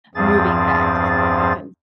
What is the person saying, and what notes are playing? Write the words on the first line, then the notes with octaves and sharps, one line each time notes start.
moving back to Florida 'cause
E2 G2 F3 C4 G#4 A6